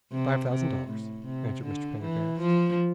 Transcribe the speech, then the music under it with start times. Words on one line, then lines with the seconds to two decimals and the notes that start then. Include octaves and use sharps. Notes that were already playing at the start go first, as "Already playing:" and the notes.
"Five thousand dollars," answered Mr. Pendergast.
0.12 C3
0.49 C3
0.88 A2
1.26 C3
1.64 D3
2.01 E3
2.40 F3